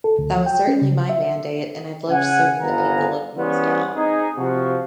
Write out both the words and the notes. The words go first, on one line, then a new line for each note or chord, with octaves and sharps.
That was certainly my mandate and I've loved serving the people of North Down.
A4
D2
F3
G5
C#4
C#3
E5
C#3 F#5 G#5
G1 C2 B3 F5 G#5 A#5
E3 G3 B3 C#4 G#4 C5
C4 D#4 G#4
C3 F3 F#4